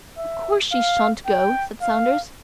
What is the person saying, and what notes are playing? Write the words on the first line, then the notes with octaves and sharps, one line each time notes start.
"Of course she shan't go," said Saunders.
E5
F5
G5
F5